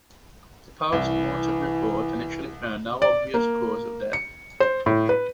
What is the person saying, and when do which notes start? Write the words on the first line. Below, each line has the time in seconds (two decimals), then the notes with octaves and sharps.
The post-mortem report initially found "no obvious cause" of death.
0.92 C2 E3
3.02 D5
3.34 A#3
4.13 C#7
4.60 C5
4.86 A2
5.09 B4